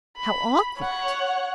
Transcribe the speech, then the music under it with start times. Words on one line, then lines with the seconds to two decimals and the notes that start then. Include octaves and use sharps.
'How awkward.
0.17 B5
0.78 C#5 F#5